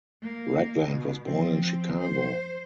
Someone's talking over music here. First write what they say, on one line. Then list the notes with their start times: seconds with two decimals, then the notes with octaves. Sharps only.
Ragland was born in Chicago.
0.22 A#3
0.90 B2
1.24 F3 C4
1.97 C5